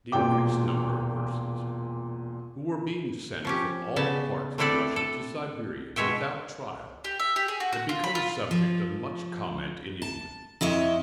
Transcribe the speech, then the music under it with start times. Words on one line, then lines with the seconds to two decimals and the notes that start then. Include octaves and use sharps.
The increased number of persons who were being sent from all parts of Russia to Siberia without trial had become a subject of much comment in England.
0.12 E1 A#2 G5 D6
3.45 F3 C#4 G4
3.96 C#3 B3 A5
4.58 A3 C4 D4 E4 A4 D5
4.96 A4
5.96 B2 G#3 C#5 E5 G5
7.04 G4
7.20 E5
7.36 G4
7.48 G#4
7.60 F#4
7.73 F#4
7.89 F4
8.04 B5
8.15 F4
8.51 F3
10.02 A5
10.61 F2 E4 C#5 D#5